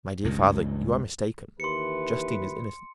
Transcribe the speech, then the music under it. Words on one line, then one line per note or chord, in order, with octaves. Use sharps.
"My dear father, you are mistaken; Justine is innocent."
C#2 G2
D#2 E3 B4 C6 C#7